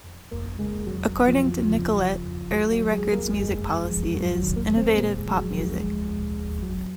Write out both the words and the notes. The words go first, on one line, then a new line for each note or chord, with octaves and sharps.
According to Nicolette, Early Records' music policy is: innovative pop music.
F2
F2 A#3 A#4
C#3 G#3 G#4
D#3 F#3 F#4
D#3
F3 F4
D#3
C#3 F3 F4
C#3
F2
D#3 F#3 F#4
F#3 F#4
D#3
G#3 G#4
D#3
A#3 A#4
F#2 G#3 G#4
F#2
F3
G#2 F#3 F#4
F#3 F#4
D#3
A#3 A#4
D#3
C4 C5
A#2 A#3 A#4
G#3 G#4
F3
F#3 F#4
F3
F#3 F#4
F3 G#3 G#4
A#2
A#2
F2 F#3 F#4